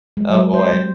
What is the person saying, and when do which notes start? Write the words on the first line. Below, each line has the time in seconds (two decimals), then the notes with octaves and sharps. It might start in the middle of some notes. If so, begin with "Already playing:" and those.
Oh, boy.
0.17 G#3
0.30 F#3
0.53 C5
0.73 G3